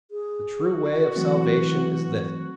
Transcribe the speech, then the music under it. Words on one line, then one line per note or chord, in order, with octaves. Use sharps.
The true way of salvation is this.
G#4
F#4
E3 F#3 A3 C4